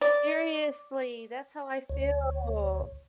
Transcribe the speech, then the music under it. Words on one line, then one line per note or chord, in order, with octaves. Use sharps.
Seriously, that's how I feel.
D5
D2 C#5